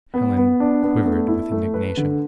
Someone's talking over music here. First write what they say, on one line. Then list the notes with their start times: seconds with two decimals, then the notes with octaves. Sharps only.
Helen quivered with indignation.
0.14 B3
0.37 B3
0.60 D4
0.83 B3
1.05 A3
1.28 E4
1.52 A3
1.74 B4
1.97 D3